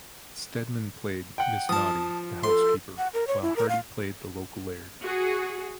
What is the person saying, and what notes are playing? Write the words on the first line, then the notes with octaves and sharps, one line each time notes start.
Steadman played Mrs Naughtie the housekeeper, while Hardy played the local laird.
F#5 G5
F3 A5 D#6
A4 C6
F#5
A#4
C#5
E4
A#4
F5
F#4 G#4